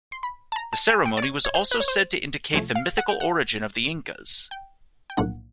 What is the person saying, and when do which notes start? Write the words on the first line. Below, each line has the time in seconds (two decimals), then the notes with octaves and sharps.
The ceremony was also said to indicate the mythical origin of the Incas.
0.12 C6
0.23 B5
0.52 A5
0.56 A#5
0.73 A5
0.89 G#5
1.06 G5
1.17 D5
1.22 C#5
1.45 C#5
1.55 C5
1.71 B4
1.80 C#5
1.88 C5
2.54 C2 C3 F3 A3 C#5
2.75 F5
2.98 F#5
3.09 G5
3.20 F#5
4.51 G5
5.10 G5
5.17 B1 A2 F3 A#3 D4 F#5